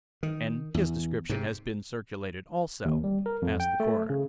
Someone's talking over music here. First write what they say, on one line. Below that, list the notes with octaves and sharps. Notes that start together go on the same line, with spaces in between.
"And his description has been circulated also?" asked the coroner.
D#3
E2
G#2 C3
D#2
G3
A#4
F2
G5
A3
C#3